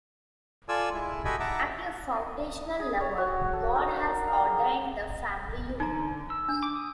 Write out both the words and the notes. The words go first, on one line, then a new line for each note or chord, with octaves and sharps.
At a foundational level, God has ordained the family unit.
F4 A4 D5 G#5 E6
G#3 E4
F#4 G4 A4 D#5 G#5 B5
D#4 E5 F#5 A5 A#5 D6
D#5
G#4
C#5
F#4
A4
D#4
A#4
F5
G#4
D3 D#4 A#5
E6
D4
D6
D#6